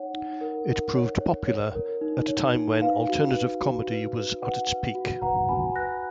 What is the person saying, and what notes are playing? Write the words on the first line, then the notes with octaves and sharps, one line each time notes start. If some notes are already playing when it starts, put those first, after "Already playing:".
It proved popular at a time when alternative comedy was at its peak.
Already playing: D#4 C#5 F#5
D#4
A#4
A#4
C#5
C#5
C#5
A#4
D#4
C#5
D#4
B4 F5
F#4
B4
F#4
B4
B4
B4 F#5
B4
F#4
B4 F#5 A#5
F#4 G#5 B5
B4 F#6 A#6